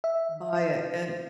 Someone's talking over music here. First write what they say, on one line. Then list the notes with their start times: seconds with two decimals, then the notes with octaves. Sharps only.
By a an
0.04 E5